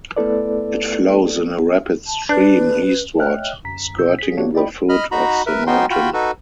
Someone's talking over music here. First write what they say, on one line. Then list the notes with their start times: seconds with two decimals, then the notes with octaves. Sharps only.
It flows in a rapid stream eastward, skirting the foot of the mountain.
0.17 A3 B3 E4 A4 B4 D5
2.07 A5
2.29 D4 B4
3.18 C#5 D#5 E5 G5 F6 F#6
3.64 G1 C2 F#2 A#5 B6
3.98 B2 E6 G6
4.19 G#4 B6
4.37 A#3 D4 F#4 G4 C#5
4.54 E4 D5 D#5 G5 B5
4.89 D#5 B5 F6
5.11 D#4 F#4 A#5 B5
5.46 A#4 B4 E5
5.67 B3 C#4 D#4 F#4 G5 C6
5.90 F4 F#4 G5 B5
6.14 D#4 F#4 A4 B4